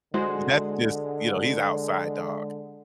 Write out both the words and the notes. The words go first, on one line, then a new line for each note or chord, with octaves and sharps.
That's just you know, he's outside dog.
D3 G#3 F#4 C5